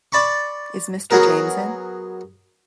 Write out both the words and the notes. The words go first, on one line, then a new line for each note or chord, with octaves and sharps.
Is Mr. James in?
D5 A5 B5 C#6
F#3 B3 G#4 A#4